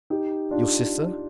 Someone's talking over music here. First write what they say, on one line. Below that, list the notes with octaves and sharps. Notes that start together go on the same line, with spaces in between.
"Your sister?"
D#4 G4
D4 F4